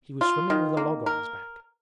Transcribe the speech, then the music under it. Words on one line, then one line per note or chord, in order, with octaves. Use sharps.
'He was swimming with a log on his back.
F4
D#3
A#3
A#4